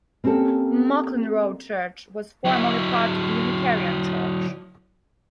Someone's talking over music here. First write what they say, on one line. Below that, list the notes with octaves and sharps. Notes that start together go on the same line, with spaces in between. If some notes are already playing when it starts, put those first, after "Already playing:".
Mauchline Road Church was formerly part of the Unitarian Church.
A#3 C4 C#4 G4 A4
F#3 E4